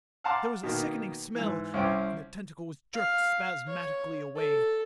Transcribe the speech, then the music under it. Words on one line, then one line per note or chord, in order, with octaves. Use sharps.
There was a sickening smell--and the tentacle was jerked spasmodically away.
F5 F#5 A5 A#5 C6 D6
B2 D#3 A#3
G#2 E3
C2 C#4 E4 C5 G5 D6
F5
C#5
A4